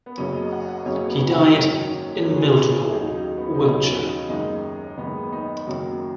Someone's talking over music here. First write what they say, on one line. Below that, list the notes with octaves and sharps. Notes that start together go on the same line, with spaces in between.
He died in Mildenhall, Wiltshire.
B3
F#1 F#2 C#3 F#3 C#4
D#5
F#5
F#5
F#1 F#2 C#3 F#3 C#5
B4
F#5
G#1 F#2 D#3 F#3 C#5
G#1 F#2 D#3 F#3 C#5
B4
G#4
B4
G#4
D#2 C#3 F#3 D#4
D#4
B3
D#4
D#2 C#3 F#3 C#4
C#4
D#4
F#1 F#2 D#3 G#3 D#4
F#1 F#2 D#3 G#3 B3
D#4
F#1 F#2 D#3 F#3 F#4